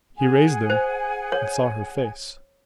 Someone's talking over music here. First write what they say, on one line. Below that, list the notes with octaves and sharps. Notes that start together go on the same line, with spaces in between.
He raised them, and saw her face.
G#4 F#5 G#5
C5
C#5